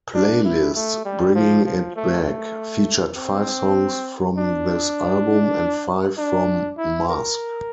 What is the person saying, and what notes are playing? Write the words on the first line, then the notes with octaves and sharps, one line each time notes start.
"Playlist: Bringing It Back" featured five songs from this album and five from "Masque".
D4
E4
A3
G3
F3
F3
A3
A3
C4
D4
D4
E4
A#4